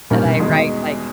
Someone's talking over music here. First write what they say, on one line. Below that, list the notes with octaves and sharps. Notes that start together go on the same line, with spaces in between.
that I write, like,
G2 A#2 D#3 G3 A#3 C#4
B2
E2 B2 E3 G#3 D#4
D#3